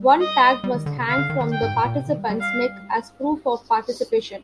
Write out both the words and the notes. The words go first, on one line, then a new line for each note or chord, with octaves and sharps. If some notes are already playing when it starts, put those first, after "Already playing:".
One tag must hang from the participant's neck as proof of participation.
Already playing: G3
D#5
G3
D#3
D3
C3
D3 F5
D3
D#3
D#3
D3 G5
G#2
A#2
A#2
C3
D#3
G3
G3
F5